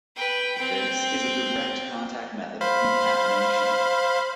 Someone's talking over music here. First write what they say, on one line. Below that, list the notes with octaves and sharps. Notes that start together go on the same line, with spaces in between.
This is a direct-contact method of decaffeination.
B4 G5
C4 G5
C5 F5 B5